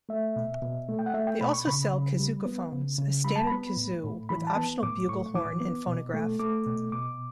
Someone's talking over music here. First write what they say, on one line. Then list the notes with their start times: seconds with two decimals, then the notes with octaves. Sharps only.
They also sell Kazookaphones, a standard kazoo with optional bugle horn and phonograph.
0.09 A3 E5
0.36 B2
0.62 B2
0.89 A3
0.99 G5
1.06 F#5
1.14 A3 E5
1.27 G5
1.41 B2 B5
1.53 C#6
1.67 C#3 B5
1.93 C#3
2.20 G3
2.45 B3
2.72 C#3
2.98 C#3
3.24 G3 B5
3.36 A5
3.47 B3 B5
3.77 A2
4.04 A2
4.29 E3 B5
4.47 A5
4.56 B3
4.83 A2 D6
5.09 A2 C#6
5.34 E3 D6
5.61 B3
5.87 B2
6.14 A3
6.40 A3 D6
6.66 B2
6.92 B2 D6